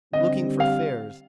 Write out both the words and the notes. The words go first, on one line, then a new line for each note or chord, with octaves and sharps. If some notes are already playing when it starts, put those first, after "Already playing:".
Looking for fares.
D3 G3 C4 D#5
F5